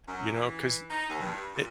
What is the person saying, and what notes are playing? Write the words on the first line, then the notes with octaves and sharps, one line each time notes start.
you know, 'cause n it
F#2
E3
D#4
D#2
G2
A#2